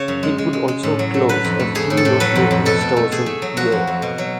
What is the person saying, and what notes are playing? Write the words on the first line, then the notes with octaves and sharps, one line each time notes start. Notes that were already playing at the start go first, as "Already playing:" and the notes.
It would also close a few loss making stores in Europe.
Already playing: C#3 C#5
F#2
G#3
G#3
G#3
G#3
A2
F#3
A3
D3 B4
F2
A3
A3 G#4
A2
A4
A2
F#3 B4
F2
F2
B2 A4
B2
A3
A3 G#4
A3
F#3
F3 F#4
F2
F2
B2
F#3